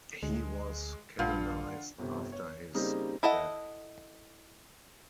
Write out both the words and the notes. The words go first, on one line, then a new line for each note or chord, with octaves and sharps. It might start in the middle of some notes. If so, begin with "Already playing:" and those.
He was canonised after his death.
D2 G#3
A#1 G2 F4 F5 F#5
G1 C3
C#5
C#3 G3 A#3 C4 D#4 G4
E4 A4 D#5 F#5